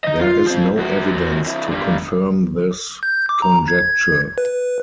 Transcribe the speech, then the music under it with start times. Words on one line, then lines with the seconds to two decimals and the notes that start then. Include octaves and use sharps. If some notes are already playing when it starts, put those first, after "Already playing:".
There is no evidence to confirm this conjecture.
0.04 D#4 D#5
0.21 F4
0.46 F3 C4
0.77 F2 F#4
1.46 C2 E3
1.71 D3 G3
3.03 G6
3.29 D6
3.42 A#5
3.68 G#6
4.38 B4